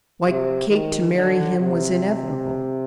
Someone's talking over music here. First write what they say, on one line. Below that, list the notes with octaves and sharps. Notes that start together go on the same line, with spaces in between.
Why, Kate, to marry him was inevitable!
C3
D#3
D3
C3